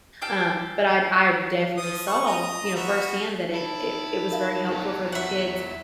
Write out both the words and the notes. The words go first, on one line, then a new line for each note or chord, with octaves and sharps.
um, but I'd I definitely saw, you know, firsthand that it it it was very helpful for the kids,
G4 A4 F5 G5
F3 D#6
C#6
D#5 A#5 D#6
B3 F#4 E5
D#3 E4 A5
A#4 E5 F5
E2 F#3
E5 F#5 G5